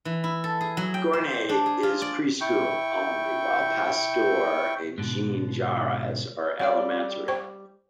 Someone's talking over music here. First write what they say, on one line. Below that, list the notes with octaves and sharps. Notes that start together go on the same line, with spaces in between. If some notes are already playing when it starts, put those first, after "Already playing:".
Gournay is preschool only, while Pasteur and Jean Jaures are elementary only.
E3
E4
A4
G#4
F#3
G5
C5
D4
G#4
F4
D5
E4 G5 C#6
G#2 B2 D3
G3 C#5 D5 F5
C5 G5 C#6